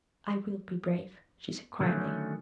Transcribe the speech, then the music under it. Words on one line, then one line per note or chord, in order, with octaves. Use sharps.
"I will be brave," she said quietly.
D3 D#3 F#3 A3 C#4